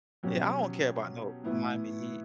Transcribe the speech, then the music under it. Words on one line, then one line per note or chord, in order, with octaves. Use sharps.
Yeah, I don't care about no Miami Heat.
B2 F#3 C#4 G4
A2 E3 B3 E4